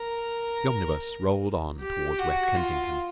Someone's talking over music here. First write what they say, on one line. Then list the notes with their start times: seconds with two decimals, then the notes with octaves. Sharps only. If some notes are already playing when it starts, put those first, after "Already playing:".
The omnibus rolled on towards West Kensington.
Already playing: A#4
1.81 G4
2.19 F#4
2.56 F4